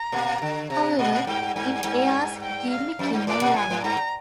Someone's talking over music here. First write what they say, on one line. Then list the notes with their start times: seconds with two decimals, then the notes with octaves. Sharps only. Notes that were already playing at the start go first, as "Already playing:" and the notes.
However, it airs Jimmy Kimmel Live!
Already playing: A#5
0.12 A#2 A#3
0.42 D3
0.70 C3 A#5
0.99 A#2 D#5
1.27 G2 G5
1.56 G2 G#5
1.84 G2
2.41 G5
2.70 F5
2.99 F2
3.13 G2
3.27 G#2 D5
3.42 A#2
3.56 G#2 G#5
3.70 G#2
3.84 G2 A#5